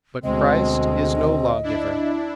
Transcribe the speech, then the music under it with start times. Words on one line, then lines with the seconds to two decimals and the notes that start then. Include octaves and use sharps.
But Christ is no law giver.
0.24 D2 B2 G#3 C4 D#5
1.63 D4 E4